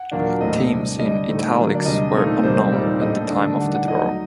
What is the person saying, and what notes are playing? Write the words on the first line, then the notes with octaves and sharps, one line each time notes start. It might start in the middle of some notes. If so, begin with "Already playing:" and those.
Teams in "Italics" were unknown at the time of the draw.
Already playing: F#5
A#2 F#3 A#3 D4
A2 A3 C4 D#5
C3 G3 D4
D3 G3 D4 D#5
A2 A3 C4 D#4
D3 F#3 A#3 D4
D5
C3 G3 D4 D#5
A#2 A3 C4 D#4
C3 D#3 G3 C4 C5
A#2 G3 C4 D#4
A2 A3 D4 D#5
D3 A3 D4
D#3 G3 D4 F#5
F#5
F#3 A3 D#4 D#5